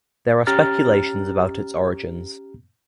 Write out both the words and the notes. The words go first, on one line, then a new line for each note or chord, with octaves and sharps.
There are speculations about its origins.
C#4 G4 A#5 F6 A6